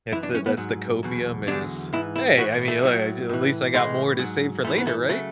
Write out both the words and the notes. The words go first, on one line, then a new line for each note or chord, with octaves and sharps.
It's a That's the copium is, "Hey, I mean, look, I jus at least I got more to save for later, right?"
F#2 E3 E4
D4
C#4
B3
G#2 F#3
E2 B2 F#3
E2 D3 F#3 D4
G#2 E3 E4
E4
A2 E3 F#4
A3
A2 F#3
A2 E3
A2 E3 G#3
G#2 F#3
G#2 E3 A3
B3
A3
C#3 F#3 A3